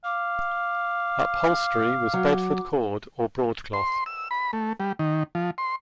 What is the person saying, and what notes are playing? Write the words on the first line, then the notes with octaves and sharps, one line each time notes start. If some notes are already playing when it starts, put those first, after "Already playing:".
Upholstery was Bedford cord or broadcloth.
F5 D6
F#3
C6
E6
B5
A3
G3
D#3
F3
C6